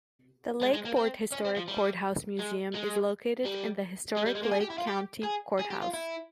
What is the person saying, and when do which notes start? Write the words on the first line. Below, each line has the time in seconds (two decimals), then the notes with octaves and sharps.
The Lakeport Historic Courthouse Museum is located in the historic Lake County Courthouse.
0.62 G#3
0.74 G#3
0.85 A#3
0.96 C4
1.32 C#4
1.45 C4
1.57 F3
1.68 G3
2.39 G#3
2.74 G#3
3.45 G3
4.16 G#3
4.26 G3
4.35 G#3
4.43 A#3
4.51 G#4
4.61 G4
4.70 E4
4.78 F4
4.87 G4
5.23 G#4
5.59 G#4
5.70 G4
5.82 F4
5.94 E4